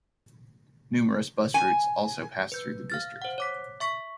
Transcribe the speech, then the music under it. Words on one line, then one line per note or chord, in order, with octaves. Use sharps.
Numerous bus routes also pass through the district.
G#5
B4 G6
F5 F6 A6
C5 F#5
C#5 D6 B6
E5 C#6 B6